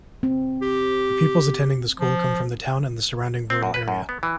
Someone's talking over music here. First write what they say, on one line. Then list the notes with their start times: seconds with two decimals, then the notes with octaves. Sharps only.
The pupils attending the school come from the town and the surrounding rural area.
0.23 C4
0.62 G4
1.99 F3
3.50 C4
3.63 F#2
3.74 B4
3.88 F#2
4.09 B3
4.23 E3